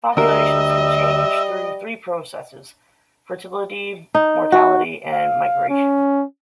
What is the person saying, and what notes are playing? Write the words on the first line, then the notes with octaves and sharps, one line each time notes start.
Populations can change through three processes: fertility, mortality, and migration.
D2 G3 A#4 D#5 E5
D#4
F#4
F5
C#4